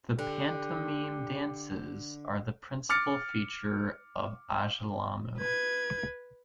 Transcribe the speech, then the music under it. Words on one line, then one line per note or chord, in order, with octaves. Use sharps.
The Pantomime dances are the principle feature of Ajilamu.
D3 G4
D6 F6 A6 C#7
B4 G#6